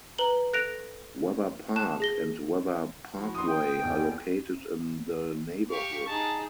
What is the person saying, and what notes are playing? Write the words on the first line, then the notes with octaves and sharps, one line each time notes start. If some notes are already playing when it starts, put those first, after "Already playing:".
Webber Park and Webber Parkway are located in the neighborhood.
B4 A#5 F#7 G7
A4 F#6 A#6 D7 F7
A5 F#6 E7
G#4 A#6 G7
F3 E4 F#4
C6 D#6
G5
E2
G4 F5 C#6
D#4 G#4 A5